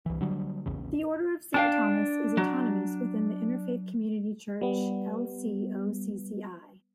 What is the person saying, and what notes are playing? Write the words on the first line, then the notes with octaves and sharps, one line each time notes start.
The Order of St.Thomas is autonomous within the Interfaith Community Church, Lcocci.
C2 E3
D3 F#3 G3
A#1 E2 C#3
D4 F5 G5 A5
F#3
G3 B3